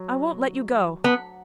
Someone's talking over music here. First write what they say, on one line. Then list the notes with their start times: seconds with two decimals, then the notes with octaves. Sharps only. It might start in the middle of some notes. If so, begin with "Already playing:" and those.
I won't let you go!
Already playing: F#3
1.04 B3